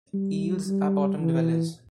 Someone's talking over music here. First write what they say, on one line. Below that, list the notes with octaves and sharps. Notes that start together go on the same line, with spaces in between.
Eels are bottom dwellers.
G3
G3
E3